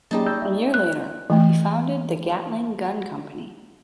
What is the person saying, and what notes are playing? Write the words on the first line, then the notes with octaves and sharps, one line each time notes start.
A year later, he founded the Gatling Gun Company.
F#3 G3 A#3 C#4 D#4 G#4 A5
G#3 D#5 E6 G6
E5
F#6
E3 A3